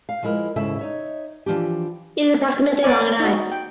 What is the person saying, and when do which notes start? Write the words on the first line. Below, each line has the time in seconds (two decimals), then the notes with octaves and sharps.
It is approximately long and high.
0.09 F5
0.23 F3 G#3 E4 A#4 B4
0.56 D#2 G#2 C#3 E4 A4 E5
0.79 D#4 C#5 E5
1.46 E3 F3 D4 G4
2.83 B3 C#5 D5 G#5
3.20 D#4 F#4
3.52 G5